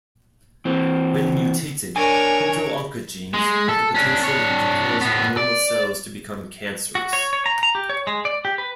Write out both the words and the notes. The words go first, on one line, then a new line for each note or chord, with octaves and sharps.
When mutated, proto-oncogenes have the potential to cause normal cells to become cancerous.
E3 C4
D4 A#4 C#5 G#5
G#3
A4
C#4 D4
D4 C#5
A2 B3
D5
F#4
C#5
C#5
A#5
A#5
G4
C#5
G#3
D5
G4
B4